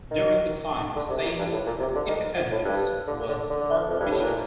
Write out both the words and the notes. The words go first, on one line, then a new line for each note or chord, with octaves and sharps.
During this time Saint Epiphanius was Archbishop.
D#3
D3
C3
A#2
G2
A2
A#2
C3
D3
D#3
F3
A2
G2
D3
D3
D3
F2
G2
A2
A#2